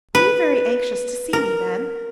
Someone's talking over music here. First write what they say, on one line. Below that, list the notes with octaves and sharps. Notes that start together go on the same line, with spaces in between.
"Were you very anxious to see me, then?"
B4
A#4